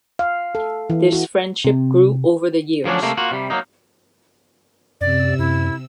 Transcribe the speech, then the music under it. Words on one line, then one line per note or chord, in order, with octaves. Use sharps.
This friendship grew over the years.
F5
A4
E3
F#4
C3
D2 F3 F#3 C#4 D4
C3 A3 A#3
A#3 F4 F#4
C3 G3
F#3 A#3 D#4
F#2 C3 D5 E6
F#2 E4